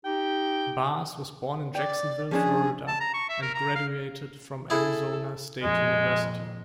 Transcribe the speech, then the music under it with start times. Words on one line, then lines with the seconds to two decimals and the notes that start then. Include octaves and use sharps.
Barrs was born in Jacksonville, Florida and graduated from Arizona State University.
0.05 D#4 G4 G5
1.75 D5 G5
2.31 F3 C#4 D4 G#4
2.88 A5
3.00 A#5
3.14 C#6
3.29 E5
3.42 A#4
3.55 A#5
3.75 F5
4.70 E4 G#4 A4
5.62 F2 A#2 G#3